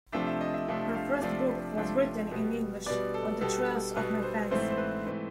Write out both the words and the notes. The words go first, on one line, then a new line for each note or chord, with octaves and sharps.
Her first book was written in English: On the Trails of my Fancy.
C3 F3 A3 D4 E5
E5
D#5
E5
C3 F3 A3 D4
F5
C3 F3 A3 D4 D5
C3 F3 A3 D4
B2 G3 B3
B2 G3 B3 D5
A4
B2 G3 B3 A4
B2 G3 B3 B4
C5
G#2 E3 A3 C4 C5
C5
B4
E3 A3 C4